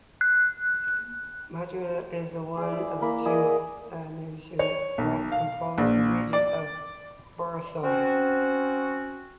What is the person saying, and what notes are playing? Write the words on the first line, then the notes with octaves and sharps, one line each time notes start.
Montalegre is one of the two municipalities that compose the region of Barroso.
F#6
G#4 D5
E4
A#3 E4 A#4 B5
E4 G#4 D5 D#5
C#5
B1
F5
A#1
D5
C4 C#4 F#4